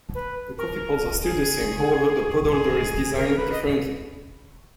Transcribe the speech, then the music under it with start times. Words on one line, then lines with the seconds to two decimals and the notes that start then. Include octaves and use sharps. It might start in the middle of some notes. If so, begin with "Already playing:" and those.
The coffee pods are still the same, however the pod holder is designed differently.
0.15 B4
0.58 A#4
1.23 G#4
2.51 G#4
3.16 A#4
3.38 B4
3.52 D#5